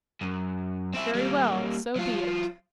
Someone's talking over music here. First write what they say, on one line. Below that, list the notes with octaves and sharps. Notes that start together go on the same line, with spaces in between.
"Very well: so be it."
F#2
C4 E4
G3 A#3
F#3 F4